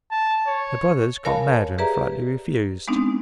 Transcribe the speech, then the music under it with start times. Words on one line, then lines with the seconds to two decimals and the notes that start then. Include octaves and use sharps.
The "brothers" got mad and flatly refused.
0.11 A5
0.48 C#5
1.25 A#4 C#5 F5 G#5 A5 B5
1.78 G4 G#4 B4 D5 E5 A#5
2.88 G#3 B3 C4 D4 D#4